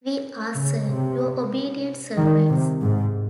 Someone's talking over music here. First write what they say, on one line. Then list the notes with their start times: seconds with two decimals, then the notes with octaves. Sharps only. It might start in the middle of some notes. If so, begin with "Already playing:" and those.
We are, Sir, Your obedient servants.
0.56 C#3
0.87 C3
2.17 D#3
2.49 C3
2.81 G#2